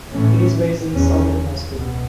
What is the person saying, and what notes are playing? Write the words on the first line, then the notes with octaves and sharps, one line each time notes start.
It is based in Southern Moscow.
A2 E3 A3 C#4
E2 E3 C#4
C#2 B2 B3